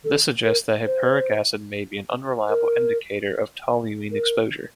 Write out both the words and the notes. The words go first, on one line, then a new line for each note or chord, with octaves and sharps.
This suggests that hippuric acid may be an unreliable indicator of toluene exposure.
A4
A#4
C5
A#4
A#4